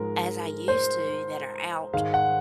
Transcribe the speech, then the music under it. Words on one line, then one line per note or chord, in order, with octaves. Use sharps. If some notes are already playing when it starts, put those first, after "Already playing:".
as I used to that are out
Already playing: G#2 F3 G#3 A#4
C5
G#2 D#3 G#3 F5
F#5